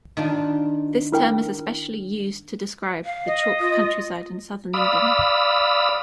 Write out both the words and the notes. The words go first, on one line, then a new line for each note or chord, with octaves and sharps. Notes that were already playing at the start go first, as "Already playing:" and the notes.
This term is especially used to describe the chalk countryside in southern England.
D#3 D4 F4
E4 A#4 G5
F5
D#5
F4
D5 F5 B5 D#6 E6